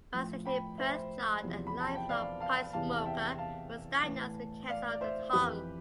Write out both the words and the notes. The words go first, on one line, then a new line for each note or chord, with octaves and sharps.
While stationed in Perth, Chard-a lifelong pipe smoker-was diagnosed with cancer of the tongue.
A2 F3
G5 B5
C5 E5
E2 C3 F3
B5
A5
G5
D5 F5
F5 A5
E2 C3 E3 F5 A5
A5
E5 G5
F5 A5
A2 E3
D5 F5
D5
C5 E5
F2 E3 G4 B4